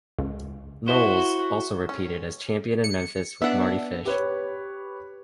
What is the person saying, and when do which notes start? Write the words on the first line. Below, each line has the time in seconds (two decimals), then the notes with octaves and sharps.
Knowles also repeated as champion in Memphis with Mardy Fish.
0.19 C#2
0.88 E4 F#4 C5
1.89 C#4
2.84 C#7
3.42 B3 D4 E5 F#5
4.05 G4 B4 C#5